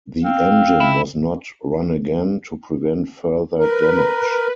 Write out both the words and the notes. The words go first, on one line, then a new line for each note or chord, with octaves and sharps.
The engine was not run again to prevent further damage.
C4 F5
E4
A#4 B4